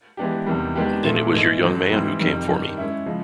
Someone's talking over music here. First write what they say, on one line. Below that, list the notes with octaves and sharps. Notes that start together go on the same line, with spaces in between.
Then it was your young man who came for me.
E3 G#3 B3 D4 G4
E2 C3 D#3 G3
D#3 G#3 B3 D4 G4
A#2 F#3 A3
G#2 E3 G#3
G2 D3 F#3
G#2 E3 G3 C4
F2 C3 D#3 G3
G2 D#3 G3
G#3 C#4 E4
C#3 F3 G#3